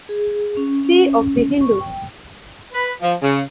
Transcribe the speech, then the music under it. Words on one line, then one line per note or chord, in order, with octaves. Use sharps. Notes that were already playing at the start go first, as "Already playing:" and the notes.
C of The Hindu.
G#4
C#4
C#4
C#6
G5
B4
F3
C#3